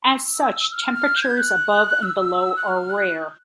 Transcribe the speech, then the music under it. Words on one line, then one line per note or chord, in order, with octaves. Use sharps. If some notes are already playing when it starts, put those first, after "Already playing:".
As such, temperatures above and below are rare.
E6
F6
F6
G6
G#6
G6
F#6
E6
F#6
F6
F#6